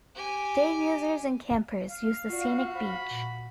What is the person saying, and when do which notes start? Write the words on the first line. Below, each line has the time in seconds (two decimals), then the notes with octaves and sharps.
Day users and campers use the scenic beach.
0.15 G4 G#5
1.88 F5
2.30 F4 F#4 D5
2.75 C5 B5
3.11 A#2